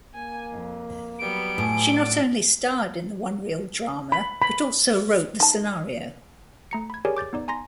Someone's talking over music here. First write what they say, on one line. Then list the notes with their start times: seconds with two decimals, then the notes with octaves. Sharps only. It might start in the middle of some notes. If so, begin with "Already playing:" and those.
She not only starred in the one-reel drama but also wrote the scenario.
0.14 A#3 G#5
0.51 F2
1.19 F#3 G3 B3 D7
1.58 A2 G#5
1.93 D5 F#5 A5
4.12 B5
4.42 B5
5.40 D#4 A5
6.71 A3 A#5 C#7
6.90 B5 G#6
7.05 G4 G#4 A#4 C#5 D5 G#5
7.17 D6 G6 A6
7.33 B3 D#4 D5
7.48 G#5 A#5 C6 A#6